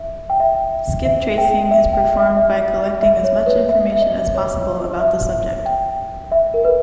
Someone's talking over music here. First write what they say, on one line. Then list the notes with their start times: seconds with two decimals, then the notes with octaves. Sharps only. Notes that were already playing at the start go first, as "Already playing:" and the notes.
Skiptracing is performed by collecting as much information as possible about the subject.
Already playing: E5
0.30 G5
0.40 E5
1.05 E5
1.38 G5
1.71 E5
1.93 G5
2.16 E5
2.37 E5
3.02 E5
3.24 C#5
3.46 B4
3.69 E5
3.92 E5
4.02 D#5
4.35 C#5
5.00 E5
5.66 G5
6.32 E5
6.54 A#4
6.65 B4